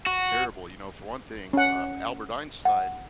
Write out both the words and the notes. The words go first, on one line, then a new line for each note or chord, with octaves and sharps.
terrible, you know for one thing, um, Albert Einstein,
F#4
C#4 F#5
F#5